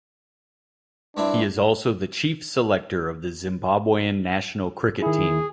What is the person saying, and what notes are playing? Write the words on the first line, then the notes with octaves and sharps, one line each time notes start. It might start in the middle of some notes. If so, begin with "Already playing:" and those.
He is also the chief selector of the Zimbabwean national cricket team.
G2 C4 D4 E4
D#3 E4 G#4